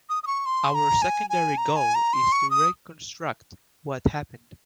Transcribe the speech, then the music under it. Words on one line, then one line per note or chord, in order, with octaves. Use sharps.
Our secondary goal is to reconstruct what happened.
D#6
D#6
C#6
C6
A#5
G#5
G#5
A#5
G#5
A#5
C6
C#6
D#6